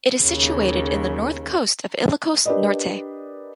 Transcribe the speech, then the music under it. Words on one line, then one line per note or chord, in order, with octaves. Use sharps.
It is situated in the north coast of Ilocos Norte.
D#2 C#3
D4 G4 A#4 B4 D5 D#5